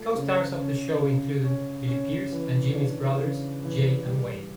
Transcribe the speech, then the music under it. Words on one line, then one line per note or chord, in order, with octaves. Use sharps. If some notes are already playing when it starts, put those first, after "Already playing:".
Co-stars of the show included Billy Pearce and Jimmy's brothers Jay and Wayne.
Already playing: F3 A3
C#3
C#4
C#3
C#4
C#4
E3
D4
C#3
E3
G3